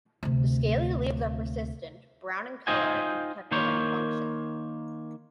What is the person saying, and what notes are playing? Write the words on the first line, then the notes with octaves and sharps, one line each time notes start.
The scaly leaves are persistent, brown in colour and protective in function.
D2 C3
D#4 F4 C5 D#5 G5 G#5
D#3 A#3 C5 C#5